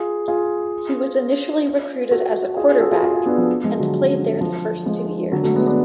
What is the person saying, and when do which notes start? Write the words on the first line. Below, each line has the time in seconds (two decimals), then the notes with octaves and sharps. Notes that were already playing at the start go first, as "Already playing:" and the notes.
He was initially recruited as a quarterback and played there the first two years.
Already playing: F4 G#4
0.28 F4 G#4
2.11 F#4 A4
2.57 F4 G#4
2.69 F4 G#4
2.80 F#4 A4
2.91 F4 G#4
3.03 F4 G#4
3.14 F4 G#4
3.26 B3 D4
3.38 F3
3.64 F3 G#3
3.79 D3 F#3
4.41 F3
4.86 F3 G#3
5.32 D3 F#3
5.44 F#3 A3
5.55 G#3 B3
5.66 B3 D4